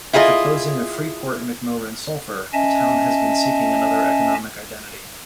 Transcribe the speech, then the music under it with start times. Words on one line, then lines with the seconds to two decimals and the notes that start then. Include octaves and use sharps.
With the closing of Freeport-McMoRan Sulphur, the town has been seeking another economic identity.
0.13 E4 F4 G#4 A#4 D#5
2.54 C#4 D#5 E5 G#5 A5